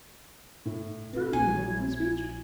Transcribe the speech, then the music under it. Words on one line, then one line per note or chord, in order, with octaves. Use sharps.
"Certainly, Lord Wisbeach."
A2
C3 C4 A4 B4
A#1 E4 G#5 G#6